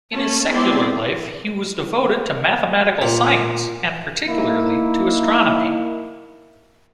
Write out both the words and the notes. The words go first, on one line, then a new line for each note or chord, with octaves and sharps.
In his secular life he was devoted to mathematical science, and particularly to astronomy.
A#3 C#4 A5
G#3 B3 C4 E4 D5 C6
A#2
A#3 D#4 E4